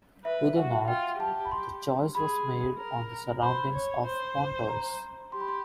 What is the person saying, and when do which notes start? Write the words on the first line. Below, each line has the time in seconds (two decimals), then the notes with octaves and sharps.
To the north, the choice was made on the surroundings of Pontoise.
0.25 B4 E5
0.56 F#4 F#5
0.88 F4 G5
1.19 G4 A5
1.45 B5
1.51 C6
2.15 G#4 B5
2.78 A#4
3.42 C5 B5
3.74 C#5
4.05 C5
4.69 A#5
5.32 G4 C6
5.40 B5
5.48 C6